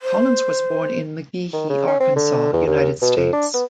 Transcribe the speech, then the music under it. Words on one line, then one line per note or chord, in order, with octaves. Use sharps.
Collins was born in McGehee, Arkansas, United States.
C5
D#3
C#3
C#4
C4
D3
E2
D#2
B2
F2
D4
B3